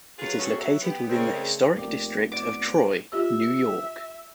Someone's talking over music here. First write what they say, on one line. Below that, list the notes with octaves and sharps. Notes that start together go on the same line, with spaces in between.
It is located within the historic district of Troy, New York.
F#3 F4 G#4 B4
B2 C4 C#4 F#4 G#4 A4
F#3 E5
B3 G4
C#3 A3 C4 G#4 A#4 D5
F1 A#3 G4 D5
B3 D5 D6
F4 G4 E5 E6